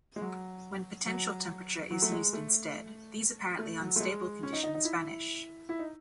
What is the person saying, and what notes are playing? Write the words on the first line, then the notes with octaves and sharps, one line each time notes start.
When potential temperature is used instead, these apparently unstable conditions vanish.
G#3
F#3
F#3
F#3
A3
G#3
A3
A3
F#3
A3
G#3
C#4
D#4
D#4
D#4
E4
E4
D#4